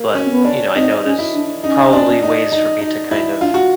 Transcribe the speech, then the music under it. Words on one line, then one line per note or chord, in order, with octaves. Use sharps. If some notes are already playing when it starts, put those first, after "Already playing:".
but, you know, I know there's probably ways for me to kind of
Already playing: A#3
C#4
C4
B3
D4
C4 D#4
C#4
E4
D4
C#4 D#4
D4
D#4
D#4
D#4
E4
D4 F4
F#4